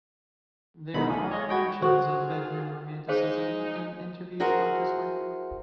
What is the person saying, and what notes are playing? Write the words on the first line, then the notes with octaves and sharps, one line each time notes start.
There are mentions of bedroom romanticism in interviews about his work.
B1 D3 D#3 G#3 B3 D#4 B5
A3 D#4 F4 G#5
C#5 D#5
F#4 D#5 G5 B5 C#6 G#6
F4 F#4 G#4 A4 C5
G#3 D#4 G#4 C5 F5
E4 F#4 G#4 A#4 C5 F#5